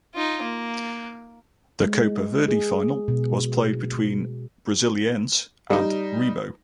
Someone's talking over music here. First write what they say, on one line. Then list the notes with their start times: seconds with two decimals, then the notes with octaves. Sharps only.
The Copa Verde final was played between Brasiliense and Remo.
0.14 D#4 F4
0.43 A#3
1.84 G#3
2.48 G#4
3.08 B2
5.70 G3 D#4